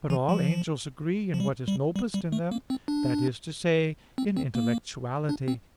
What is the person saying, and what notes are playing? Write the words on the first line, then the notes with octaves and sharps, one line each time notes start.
But all angels agree in what is noblest in them--that is to say, in intellectuality.
E3
F3
F3
G3
G3
G3
G3
A3
A#3
C4
D4
C4
C4
A#3
D4
C4